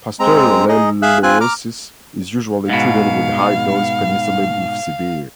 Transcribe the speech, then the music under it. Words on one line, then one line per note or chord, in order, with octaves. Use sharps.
Pasteurellosis is usually treated with high-dose penicillin if severe.
G#3 C4 A#5
D#4 G#4 D#5
G#4 E5 F5 E6 F#6
C4 F4 G#5 F#6
A#5 D6 F6
G#2 B2 F5